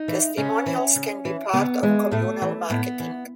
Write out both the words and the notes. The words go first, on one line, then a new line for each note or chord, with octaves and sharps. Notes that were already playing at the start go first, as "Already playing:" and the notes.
Testimonials can be part of communal marketing.
Already playing: D#4
E3
C#3 C#4
E3
C#3
E3
C#3 B3
E3 G#3
A2 A3
E3
A2 B3
E3